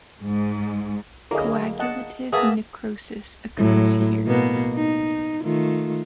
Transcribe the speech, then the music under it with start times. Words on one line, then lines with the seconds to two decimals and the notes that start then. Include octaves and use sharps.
Coagulative necrosis occurs here.
0.24 G#2
1.31 D3 F#3 A#3 E4 G#4 D#5
1.79 D#5 F#5 A5
2.33 A#3 B3 G#4 E5 A5 A#5
3.57 A2 F#3
4.27 B2 A#3 B3
4.75 D#4
5.43 D#3 A3 F4